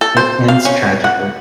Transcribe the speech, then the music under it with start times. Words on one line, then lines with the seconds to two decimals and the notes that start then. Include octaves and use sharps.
It ends tragically.
0.01 A4
0.17 C5
0.48 F5
0.65 C#4
1.04 F#5